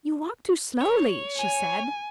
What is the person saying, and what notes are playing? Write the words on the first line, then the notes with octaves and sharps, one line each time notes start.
"You walk too slowly," she said.
C#5
G#5